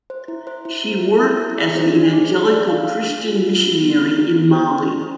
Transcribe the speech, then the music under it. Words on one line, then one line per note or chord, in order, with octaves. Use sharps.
She worked as an Evangelical Christian missionary in Mali.
C5
E4
C5
E4
E4
E4
E4
E4
G#4
C5
D4
G#4
G#4
D5
F5
G#4
D4
F4
F4
D4
B3
E4
G#4
B3
C5
D4
D4